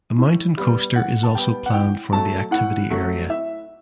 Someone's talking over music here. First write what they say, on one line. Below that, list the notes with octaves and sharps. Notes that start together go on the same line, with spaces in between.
A mountain coaster is also planned for the activity area.
A2
G3 B3
A2 F#5
A5
G3 B3 G5
F#5
A2 G5
F#3 A3 A5
A2 F#5
F#3 A3
A2 E5